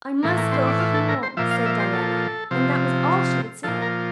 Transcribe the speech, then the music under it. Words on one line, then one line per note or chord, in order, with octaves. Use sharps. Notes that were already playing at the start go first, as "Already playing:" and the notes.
"I must go home," said Diana, and that was all she would say.
A2 E3 A#3
A#3
C4
D4
F4
A4
A#4
C5
A#2 F3 E5
F5
E5
C5
A4
C3 F3
A#2 F3 A4
A#4